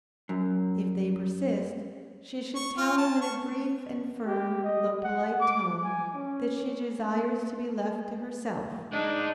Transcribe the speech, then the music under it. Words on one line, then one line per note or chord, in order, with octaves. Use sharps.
If they persist, she should tell them in a brief and firm, though polite tone, that she desires to be left to herself.
F#2
C#6
F4
A5
C#6
G4
D#5
F#5
D6
G#5
C#4
G#3 D4 D#4